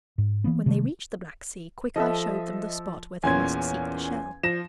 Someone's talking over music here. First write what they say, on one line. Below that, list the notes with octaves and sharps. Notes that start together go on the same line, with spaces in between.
When they reached the black sea, Quickeye showed them the spot where they must seek the shell.
G#2
E3 A#3 B3
C3 D#3 G3 A3
F3 A4 D#5 E5
E2 A#2 C#4 G#5 C6 G#6
F3 A#6 E7